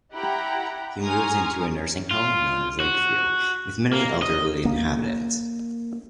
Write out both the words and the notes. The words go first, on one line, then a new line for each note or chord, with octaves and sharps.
He moves into a nursing home known as Lakeview, with many elderly inhabitants.
E4 G4 F#5 G5 A#5 B5
G#5 A#5 C6 C#6 D#6 F6
F4
F#4
A#3
D#5
A#3